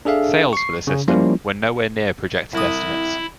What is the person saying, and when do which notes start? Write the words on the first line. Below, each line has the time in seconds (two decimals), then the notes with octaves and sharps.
Sales for the system were nowhere near projected estimates.
0.05 D4 G#4 A4 E5 F5
0.53 C#6 C7
0.87 C#3 C#4
1.08 F3 G3 A#3 C#4 E4 F4
2.54 C2 E4 D#6